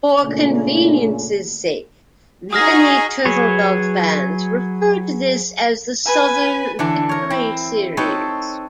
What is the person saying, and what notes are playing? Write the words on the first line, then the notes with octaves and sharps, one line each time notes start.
For convenience's sake, many Turtledove fans refer to this as the Southern Victory series.
A#2 C#3 A3 A#3 C#4 D4
D#4 F#4 G#4 D#6 F6 A#6
F#3 G#4 B4 C#5
B4 G#5
D3 E3 D4 A4
A#4 C#5
C4 E4
C4 D#4 A4 B4 C#5